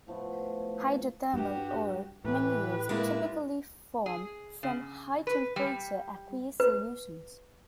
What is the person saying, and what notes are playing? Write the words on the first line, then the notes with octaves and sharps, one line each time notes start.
Hydrothermal ore minerals typically form from high temperature aqueous solutions.
A2 F3 A3 B3
G2 F#4 G4
A2 E3 G4 B4
G#3 A#3 D4 E4
G#4
C#3
B4
G3
B4